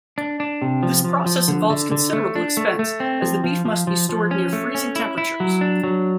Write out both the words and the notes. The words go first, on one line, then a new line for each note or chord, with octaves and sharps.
This process involves considerable expense, as the beef must be stored near freezing temperatures.
D4
D4
C3
F3
F3
F3
D3
D3
D3
A3
D4
A3
A3
C4
F3
F3
F3
F3
F3
C#4
A3
C#4
E4
E4
F#3
D4
F#3